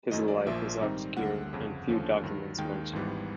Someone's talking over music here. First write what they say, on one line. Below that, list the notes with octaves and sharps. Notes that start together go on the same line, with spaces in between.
His life is obscure and few documents mention him.
F#2 D#3 F#3 A3 D#5
D5
A#1 A#2 F3 A#3 E5
G#2 D#3 G3 C4 D#4
D2 D3 G3 A#3 F#5
G1 F2 C#3
D#2 D3 F3 A3 C#4
G2 D#3 F#3
D#2 D#3 G#3 G5
G#1 G#2 E3 G3 B3